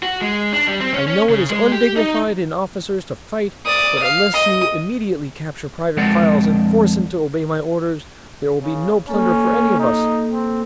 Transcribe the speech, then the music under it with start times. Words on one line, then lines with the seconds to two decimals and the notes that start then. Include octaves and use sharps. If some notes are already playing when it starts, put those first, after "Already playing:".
I know it is undignified in officers to fight, but unless you immediately capture Private Files and force him to obey my orders there will be no plunder for any of us.
0.03 F#4
0.21 G#3
0.53 D4
0.67 G3
0.80 C4
0.93 C#4
1.08 C#4
1.29 C#3
1.50 G#3
1.72 G4
1.96 D#4
3.66 D5 D#6
4.03 F5
4.34 D#5 D#6
5.97 F2 G#3 A#4 C5 D5 F#5
8.62 C#3
9.08 A#3 C#4 A4
9.80 D#4
10.33 C4